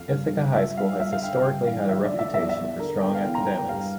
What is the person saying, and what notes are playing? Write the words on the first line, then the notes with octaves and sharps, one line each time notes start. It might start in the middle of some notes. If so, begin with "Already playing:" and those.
Ithaca High School has historically had a reputation for strong academics.
Already playing: F2 F5
G2
G2
F3 E5
G2 F5
F3 E5
F5
D3 G5
G2 G5
E3 F5
D3 E5
D5
F3
E5
E2 E5
D5
E5
E2
D3 A#4
D3 G5
F5
E2 G5
A#5
E2 G5
G5
G2 F5